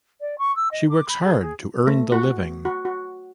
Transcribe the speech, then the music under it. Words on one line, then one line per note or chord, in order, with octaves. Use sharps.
She works hard to earn the living.
D5
C#6
E6
D#5
D6
B5
G#4
G#4
A3
F#4
F#4
F#4